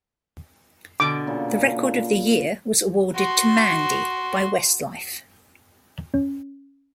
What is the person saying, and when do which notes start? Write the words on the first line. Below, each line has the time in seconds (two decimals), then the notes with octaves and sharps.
The Record of the Year was awarded to "Mandy" by Westlife.
1.00 B2 D3 D6
1.27 A#2 C#3
3.16 F#4 C6
6.14 C#4